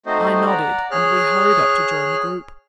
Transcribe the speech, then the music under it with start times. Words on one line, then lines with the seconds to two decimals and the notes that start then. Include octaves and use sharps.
I nodded, and we hurried up to join the group.
0.06 A3 C4 D#4 F#4 C5 D#5
0.46 D5 F#5 A#5
0.91 G#4 C#5 F6 F#6